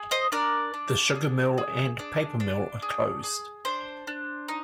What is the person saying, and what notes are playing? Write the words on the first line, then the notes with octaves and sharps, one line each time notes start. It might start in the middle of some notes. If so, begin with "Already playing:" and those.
The sugar mill and paper mill are closed.
Already playing: G#4
C5 D#5
D4 A#4 D5
D4
G#4
G#4
D4
D4
G#4
G#4
D4 C5
D4
D#4